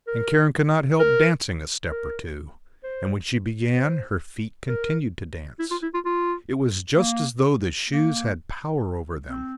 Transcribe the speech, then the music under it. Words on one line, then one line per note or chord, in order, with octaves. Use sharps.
And Karen could not help dancing a step or two, and when she began her feet continued to dance; it was just as though the shoes had power over them.
A#4
A#4
A#4
C5
C5
A#4
E4
F4
E4
F4
F4
A#3
A#3
C4